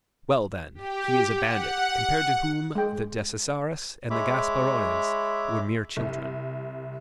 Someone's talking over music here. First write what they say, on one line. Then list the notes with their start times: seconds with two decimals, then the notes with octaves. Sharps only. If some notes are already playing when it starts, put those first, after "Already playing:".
"Well, then, he is a bandit, compared to whom the Decesaris and the Gasparones were mere children."
0.75 G4
1.35 F#5
2.75 G#3 G5
4.10 G#3 C#5 E5 B5 D6
5.97 C2